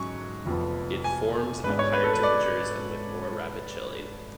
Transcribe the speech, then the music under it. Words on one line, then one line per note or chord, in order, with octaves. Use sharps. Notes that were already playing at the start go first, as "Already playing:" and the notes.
It forms at higher temperatures and with more rapid chilling.
Already playing: G#2 F#3 C#4 C#6
F1 F2 F3 B3
G#5
G#1 G#2 G#3 B3 D4 B4
C#5
B4
A4
B4
D5